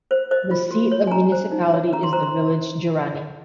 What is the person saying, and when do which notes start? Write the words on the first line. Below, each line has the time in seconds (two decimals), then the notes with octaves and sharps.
The seat of the municipality is the village Gerani.
0.11 C5
0.31 C5 D#5
0.51 F4
0.71 F#4
0.91 C#5
1.07 G#5
1.11 C#4 A#5
1.32 C5
1.52 D#4
1.73 C#5
1.93 C#4 A#5
2.03 C6
2.13 C5 A#5
2.23 C6